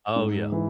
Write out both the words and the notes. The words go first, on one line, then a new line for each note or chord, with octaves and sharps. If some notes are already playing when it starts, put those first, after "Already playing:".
Oh, yeah.
G#2
E3